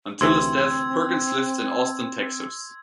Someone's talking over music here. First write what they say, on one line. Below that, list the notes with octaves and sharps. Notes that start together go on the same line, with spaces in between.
Until his death, Perkins lived in Austin, Texas.
D2 C3 E3 C4 C6 E6 G#6